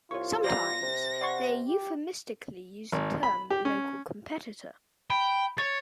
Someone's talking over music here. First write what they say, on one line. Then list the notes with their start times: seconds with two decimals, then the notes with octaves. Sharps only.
Sometimes they euphemistically use the term "local competitor".
0.11 C2 F4 C#5 C#6
0.44 G3 C5 D5 A#5 A#6
0.82 C3
1.21 D5 F#5 C6 C#6
1.66 G4
2.92 G#1
3.23 B5
3.50 G4
3.65 C#4
5.10 G5 B5
5.58 C#5 A6